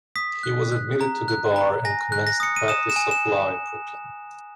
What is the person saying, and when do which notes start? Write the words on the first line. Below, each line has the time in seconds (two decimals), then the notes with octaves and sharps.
He was admitted to the bar and commenced the practice of law in Brooklyn.
0.16 D#6 B6
0.43 F#6
0.72 F#6
1.01 A#5
1.28 F#6
1.56 A#5
1.85 G#5 A#6
2.12 F#6
2.27 A#6
2.40 D#6 C#7
2.56 D#7
2.68 D#6 E7
2.90 E7
2.96 G#5
3.11 E7